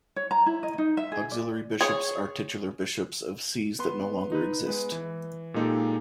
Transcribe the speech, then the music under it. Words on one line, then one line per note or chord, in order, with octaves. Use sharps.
Auxiliary bishops are titular bishops of sees that no longer exist.
C#5
A#5
E4
D#5
D#4
E5
G#4
D5
G#4 C#5
B3 B4 C6
D#4 B4
G#3 B3 B4
E3
A#2 G#3 A#3 D#4 G4 A4